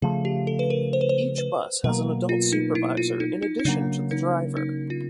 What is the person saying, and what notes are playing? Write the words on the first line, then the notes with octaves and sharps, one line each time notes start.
Each bus has an adult supervisor in addition to the driver.
C#3 F3 A3 G#4
G4
A4
B4
A#4
C5
B4
C5
B4
B2 F#3 A#3 A#4
F4
D#4
E4
F4
D#4
D#4
D#4
C#3 F#3 A#3 D4
D#4
D#4
F4